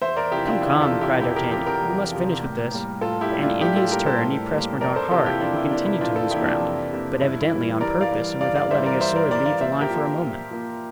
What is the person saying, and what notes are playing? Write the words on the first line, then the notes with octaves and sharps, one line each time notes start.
"Come, come," cried D'Artagnan, "we must finish with this," and in his turn he pressed Mordaunt hard, who continued to lose ground, but evidently on purpose and without letting his sword leave the line for a moment.
E2 C5 E5
A#4 D5
C3 F3 E4 G4
D4 F4
E2 E4
F4 A4
C3 F3
E4 G4
E2 E4 G4
G4 A#4
C3 F3 G4 A#4
G4 A#4
E2
C3 F3
A2
G3 A#3
A2 F4 A4
E4 G4
G3 A#3
D4 F4
A2 E4 G4
F4 A4
G3 A#3 G4 A#4
A4 C5
A2
G3 A#3
F2 A#4 D5
A4 C5
C3 E3 A#3 F4 A4
E4 G4
F2 D4 F4
E4
C3 E3 A#3 D4
E4
F2 D4 F4
F4 A4
C3 E3 A#3 E4 G4
D4 F4
F2
C3 E3 A#3
G2 E4
E4
E3
G3
G2 A#4 D5
D5 F5
E3 G3
G2 D5 F5
D5 F5
E3 G3 C5 E5
A#4 D5
G2 C5 E5
A#4 D5
E3 G3 A#4 D5
D5 F5
A#2 C5 E5
G4 A#4
F3 A#3
A#2
F3 A#3